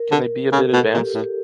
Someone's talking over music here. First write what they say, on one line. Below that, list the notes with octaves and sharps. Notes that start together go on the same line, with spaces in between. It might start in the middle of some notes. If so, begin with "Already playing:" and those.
Can they be a bit advanced?
Already playing: A#4
D3
C#3 A4
B2
A#2 G4
A2